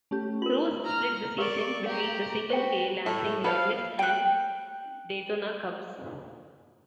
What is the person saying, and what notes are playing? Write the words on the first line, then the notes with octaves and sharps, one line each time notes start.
Cruz split the season between the Single-A Lansing Lugnuts and Daytona Cubs.
A3 C#4 G4
F4 A#4 F#7
A#5 F6
G4 A#4 D5 F5 C#6
G4 F5 A#5
F#4 B4 C5 G5
A2 A3
F3 A4 B4 F5
G5 F#6